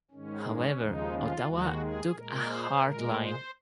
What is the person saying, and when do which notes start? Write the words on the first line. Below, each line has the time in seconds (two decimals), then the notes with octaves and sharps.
However, Ottawa took a hard line.
0.11 G#2 D#3 G#3 C#4
0.45 C#4
0.79 D#2 C#3 F3 G#3 D#4
1.12 F4
1.46 D#2 D#3 G#3 F#4
1.80 G#4
2.13 A#2 G#3 A#4
2.47 C5
2.82 A#2 G#3 A#4
3.15 C5